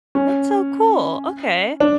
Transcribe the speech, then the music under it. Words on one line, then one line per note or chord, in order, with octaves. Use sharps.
That's so cool, okay.
C#4
D4